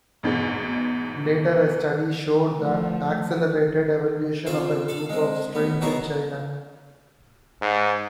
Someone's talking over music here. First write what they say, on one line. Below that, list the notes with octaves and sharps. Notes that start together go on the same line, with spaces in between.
Later a study showed that accelerated evolution of a group of strains in China.
A1 E2 G#2 B2
F3 A3
C#3 C4 F4 C5
A4 F5
G#3 C4
A1 B3
B2 D#3 E3 F#3 G#4 A#4
G#2